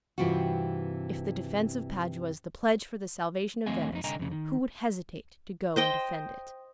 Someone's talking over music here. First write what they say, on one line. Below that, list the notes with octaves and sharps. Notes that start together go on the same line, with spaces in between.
If the defence of Padua is the pledge for the salvation of Venice, who would hesitate to go and defend it?
G2 C3 E3 C4 F4 F#4
D#2 A3 C4 D#5 F5 G#5
F2 B3 D#4
C2 D3 D#5 G5 G#5 A#5
F2 C#3
D#3
C5 D#5 G5